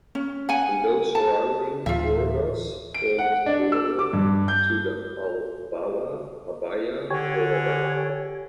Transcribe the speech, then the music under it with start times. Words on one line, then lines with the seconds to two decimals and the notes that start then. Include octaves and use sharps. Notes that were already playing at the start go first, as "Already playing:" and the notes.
And those surrounding woredas formed border to the Abala Abaya woreda.
0.15 C#4
0.49 F#5 G#5
1.15 A5
1.86 D1 E3 F4 E5
2.94 D7
3.18 F#5
3.46 D4
3.72 E6
3.99 D6
4.13 G2
4.48 G6
7.10 D3 G4 C#5 G#5